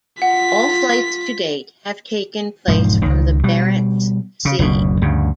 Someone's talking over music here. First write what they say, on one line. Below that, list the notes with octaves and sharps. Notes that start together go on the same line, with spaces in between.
All flights to date have taken place from the Barents Sea.
F4 F#5 B6
E1 G#2 F3
C#2 D#3
B2 G3
C#3
F#1 D2 B2
D2 G2 C#3